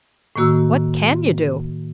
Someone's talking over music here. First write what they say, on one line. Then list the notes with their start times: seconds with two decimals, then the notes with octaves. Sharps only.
"What can you do?"
0.36 A2 D#3 A#3 F#4 E6